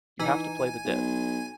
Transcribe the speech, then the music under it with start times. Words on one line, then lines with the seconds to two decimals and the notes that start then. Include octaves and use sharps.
You have to play the dead.
0.20 E3 D#4 G#5
0.85 B1